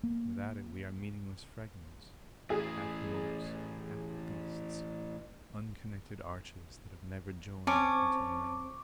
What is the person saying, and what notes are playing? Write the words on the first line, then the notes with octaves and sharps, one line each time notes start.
Without it we are meaningless fragments, half monks, half beasts, unconnected arches that have never joined into a man.
A#3
A2 E3 G#4
C4 C#4 C5 A5 C#6 D6